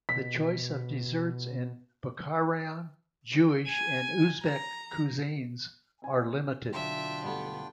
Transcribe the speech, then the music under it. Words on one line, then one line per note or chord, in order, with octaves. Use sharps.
The choice of desserts in Bukharan Jewish and Uzbek cuisines are limited.
B2 B6
G#5
A#5
C4 G#5
B1 D3 F#3 D4 F4 E5 G5
G2 A3 B3